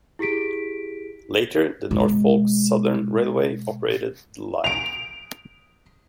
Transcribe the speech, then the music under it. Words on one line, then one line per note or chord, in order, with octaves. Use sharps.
Later, the Norfolk Southern Railway operated the line.
E4 G4 G#4 B6 D7
B2 G#3
D7 F7